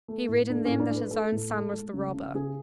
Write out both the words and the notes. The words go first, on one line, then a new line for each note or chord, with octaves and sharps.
He read in them that his own son was the robber.
A3
A2
A3 D4
A2 C#4
D4
A3
B4
A3 A4
A2
A3
G#3
C#3
C#3
C#3 G#4